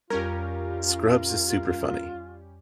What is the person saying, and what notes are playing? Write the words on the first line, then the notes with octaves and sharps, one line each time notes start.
Scrubs is super funny,
F2 G3 C#4 F4 G4 A#4 G#6